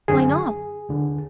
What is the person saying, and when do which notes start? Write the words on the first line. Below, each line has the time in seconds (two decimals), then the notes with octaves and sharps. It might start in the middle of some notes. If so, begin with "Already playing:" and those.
"Why not?"
0.08 F#2 D3 G#4
0.89 D2 D3